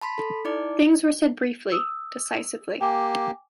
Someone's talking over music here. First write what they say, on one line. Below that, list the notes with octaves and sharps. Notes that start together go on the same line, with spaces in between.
Things were said briefly, decisively.
A5 B5 C6 B6
A4
D#4 E4 D5 D6
D#6 E6
A#3 G4 G5 G#5 D6